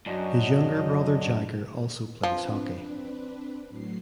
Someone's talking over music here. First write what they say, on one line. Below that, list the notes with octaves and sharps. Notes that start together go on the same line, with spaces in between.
His younger brother Jagger also plays hockey.
F#2 F#3 D4 D#5
F3 C4 D4 B4
A2 F#3 C7